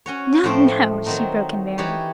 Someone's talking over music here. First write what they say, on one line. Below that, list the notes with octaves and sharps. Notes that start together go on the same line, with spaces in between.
"No, no!" she broke in merrily.
C#4 F#4 C#5
A2 F3 A3 C5 G5
D#3 F#3 C4 D#4
E3 D#4 G4 C#5